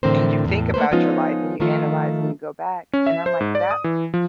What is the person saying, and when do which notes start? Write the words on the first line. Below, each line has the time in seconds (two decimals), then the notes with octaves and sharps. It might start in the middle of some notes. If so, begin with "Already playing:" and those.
and you think about your life and you analyze and you go back, and I'm like, "That
0.03 A2 D3 E3 C4 A#4 C5
0.44 E2 A2
0.74 A3 A#3 B4 C5
0.92 F3 G#3 B3 C#4 D#4 F4
1.60 D#3 F3 A3 F4
2.93 C#4
3.07 E5
3.26 C5
3.40 G#2
3.55 D5
3.71 D#6
3.84 E3
4.14 F3